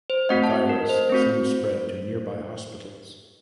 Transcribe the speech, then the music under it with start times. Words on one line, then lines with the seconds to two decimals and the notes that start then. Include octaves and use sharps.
The virus soon spread to nearby hospitals.
0.10 C5
0.29 A3 C4 F#4 D#5 F#5
0.44 A5
0.50 D#5 F#5
0.69 A#4
0.89 C5
1.09 A3 C4 F#4 C5